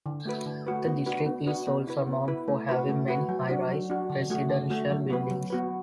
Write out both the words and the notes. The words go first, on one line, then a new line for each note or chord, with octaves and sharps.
The district is also known for having many high-rise residential buildings.
D3
A3 F#4 B4
D3
A3 F#4 B4
B3
D4 F#4 B4
B3
D4 F#4 B4
B3
E4 B4
B3
E4 B4
A3
F#4 B4
A3
F#4 B4
F#3
D4 F#4
F#3
D4 F#4
D3
A3 F#4
D3
A3 F#4
F#3
B3 F#4 B4
F#3
B3 F#4 B4